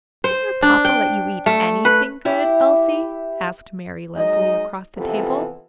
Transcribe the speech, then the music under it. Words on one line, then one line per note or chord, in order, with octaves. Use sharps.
"Doesn't your papa let you eat anything good, Elsie?" asked Mary Leslie across the table.
C5
D4
G5
A3
B4
E4 G4
F#3 G#3 D#4 D#5
F2 C3 E3 B3 F4 A4